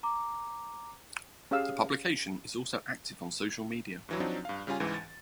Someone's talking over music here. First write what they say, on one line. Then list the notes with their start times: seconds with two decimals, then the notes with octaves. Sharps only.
The publication is also active on social media.
0.03 A#5 D6
1.51 C#4 G4 G#4 F5 E6
4.09 G2 E3 F#3
4.20 F3 F#3 C4 D4 D#4
4.45 G2 F5
4.67 C#3 G3 C#4 F4 G#5
4.80 C#2 G#2 E3
4.94 A6